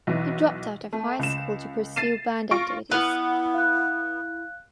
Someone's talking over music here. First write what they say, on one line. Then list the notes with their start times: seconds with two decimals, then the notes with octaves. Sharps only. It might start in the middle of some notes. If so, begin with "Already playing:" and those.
He dropped out of high school to pursue band activities.
0.07 B1 E3
0.93 A3
1.19 C#2 E7
1.96 A6 C7 D#7 E7
2.51 F4 C#6 A#6 D7
2.91 B3 E4 F#5 F6
3.54 F5 F#6